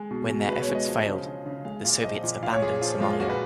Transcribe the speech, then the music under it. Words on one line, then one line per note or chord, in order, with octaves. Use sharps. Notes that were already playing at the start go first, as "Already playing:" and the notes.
When their efforts failed, the Soviets abandoned Somalia.
Already playing: G#3
B2
G#3
B2 B4
C#5
G#3
D#5
F3
C#3
C#3
C#3
G#3 F5
A#2 F5
F3 D#5
A#2
A#2 F5
C#5
A#2 G#4
F3 F4
G#3 F4
F4
A#2 F#4
B4